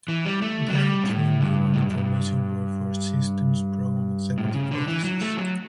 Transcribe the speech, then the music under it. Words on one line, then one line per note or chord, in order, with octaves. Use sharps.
There are three Naval Information Warfare Systems Program Executive Offices.
E3
G3
A3
F#3
G3
B2
A2
G2
A2
G2
F#2
G2
A2
C#3
D3
E3
F#3
A3
F#3